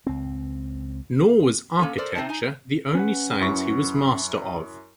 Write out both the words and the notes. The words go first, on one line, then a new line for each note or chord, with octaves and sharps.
Nor was architecture the only science he was master of.
C#2 C4
A#3 C#4 A4
A4 A#4 C5 D5
C3 C4 D#4 A5
D#4 G#5
C#4 B4 F#5
F#2 E4 C#6